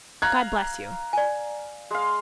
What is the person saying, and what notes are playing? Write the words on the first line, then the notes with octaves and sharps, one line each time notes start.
God bless you!'
F5 A#5 F#6 G#6
D5 G#5
G#3 F5